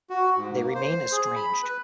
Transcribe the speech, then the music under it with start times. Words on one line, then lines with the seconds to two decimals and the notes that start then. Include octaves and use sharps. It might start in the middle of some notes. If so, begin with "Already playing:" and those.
They remain estranged.
0.10 F#4
0.36 G#2
0.55 A#3
0.75 C5
1.12 G#4
1.36 B5
1.63 B4